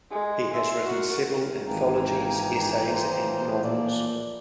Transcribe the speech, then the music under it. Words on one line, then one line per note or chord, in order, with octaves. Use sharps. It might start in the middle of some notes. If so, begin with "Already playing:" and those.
He has written several anthologies, essays, and novels.
G#3
E5 C6
F#4 A#4
G#1 E3 F3 A#3 G5 G#5 A#5
C5
A#2 D5